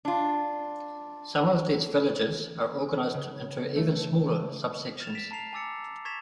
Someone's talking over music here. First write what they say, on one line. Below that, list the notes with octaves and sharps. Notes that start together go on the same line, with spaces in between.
Some of these villages are organized into even smaller subsections.
D4 F4
C#3
A3
F6 A6 E7 F7
B6 D7 E7
A5 A#5 C7 F7
G#5 A#5 D6 E6 A6 C#7
C#6 G#6 A6 B6 E7 F7